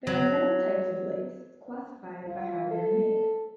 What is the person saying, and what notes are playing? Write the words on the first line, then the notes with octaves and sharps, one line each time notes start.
There are many types of lace, classified by how they are made.
F#3
F4
A4